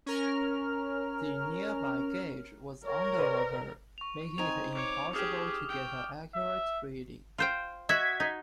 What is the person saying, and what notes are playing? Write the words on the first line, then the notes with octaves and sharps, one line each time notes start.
The nearby gauge was underwater, making it impossible to get an accurate reading.
C#4 A#4 F6
A#4 C#5
B4 C5 D5
C#6 F7
C4 D#4 G#5 F7
C#5 D6
G4 G#4 D6 D#6 F6
G5
E5
F4 C5 G5
F#4 D#5 E5 G#6 B6
D#4